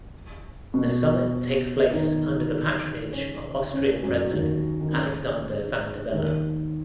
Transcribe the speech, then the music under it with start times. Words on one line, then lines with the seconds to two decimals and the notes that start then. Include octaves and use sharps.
The summit takes place under the patronage of Austrian president Alexander Van der Bellen.
0.74 B2 B3
1.93 D#3 D#4
3.13 C#3 C#4
3.73 C#3 C#4
4.03 F#2 F#3
4.33 D#2 D#3
4.81 D#3
4.92 C#3
6.12 D#2 D#3